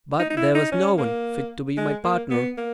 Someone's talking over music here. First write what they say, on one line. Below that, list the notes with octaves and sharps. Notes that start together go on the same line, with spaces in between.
But there was no one fit to be my partner.
D#4
D#4
E4
D#4
C#4
A#3
G#3
A#3
B3
A#3